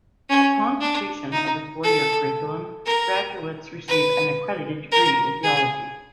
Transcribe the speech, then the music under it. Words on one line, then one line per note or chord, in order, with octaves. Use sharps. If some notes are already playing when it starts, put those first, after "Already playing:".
Upon completion of the four-year curriculum, graduates receive an accredited degree in theology.
C#4
D4
D#4
A4
A#4
B4
A#4
G#4